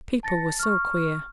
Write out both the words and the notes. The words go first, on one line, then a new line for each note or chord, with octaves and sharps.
People were so queer.
A5 A6 A#6 C#7
C#6 F6